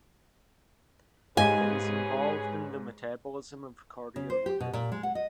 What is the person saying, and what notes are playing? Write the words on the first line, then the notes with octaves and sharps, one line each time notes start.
It is involved in the metabolism of cardiolipin.
G#2 C#4 G4 G#4 B4 D#5 F5 G#5
C#3
C5
G4
B2
A#2
G#3
F#5
D#5